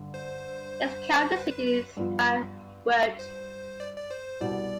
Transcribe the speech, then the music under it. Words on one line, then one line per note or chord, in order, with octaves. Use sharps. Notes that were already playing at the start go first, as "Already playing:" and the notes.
Its county seat is Van Wert.
Already playing: G2 D3
C5
B4
B4
B4
G2 F3 B3 F4
C5
D5
D5
C5
C2 B2 G3 D5